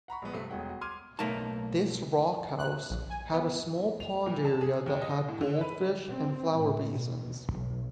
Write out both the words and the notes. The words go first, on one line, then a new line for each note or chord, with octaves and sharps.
This Rock House had a small pond area that had goldfish and flower basins.
F#5 A#5 B5 C#6
A#1 G#3 B3
G2 C3 A3 C4
E1 G#3 F#4 C#5 F#5 G5
F#4
C6 D6 F6 G#6 D#7
B1 A3 A#3 D#4 A5
F#6
A#1
G#5
B3
F7
A#2
A5
G#4
D#2
D#5
A2
D3
B4
C4
A2
B2
B1